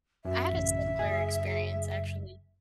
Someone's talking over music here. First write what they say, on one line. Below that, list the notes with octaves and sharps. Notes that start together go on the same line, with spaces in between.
I had a similar experience actually,
F#2 E5
A1 C#3
F#1 G#4